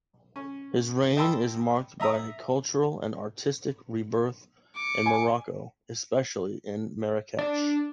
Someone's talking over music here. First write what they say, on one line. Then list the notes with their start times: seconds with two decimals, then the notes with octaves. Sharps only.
His reign is marked by a cultural and artistic rebirth in Morocco, especially in Marrakech.
0.36 C#4
1.17 D#5 G5 A5 B5 C6 E6
2.00 D#5 E5 A#5 D#6
4.76 D6 C#7
5.06 G#5
7.39 D4